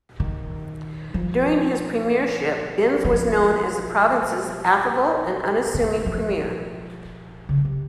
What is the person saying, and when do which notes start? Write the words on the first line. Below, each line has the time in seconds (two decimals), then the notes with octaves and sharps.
During his premiership, Binns was known as the province's affable and unassuming premier.
0.20 D#3
1.14 F3
3.05 F3
5.74 D#3
6.06 F3
7.49 C#3
7.65 C3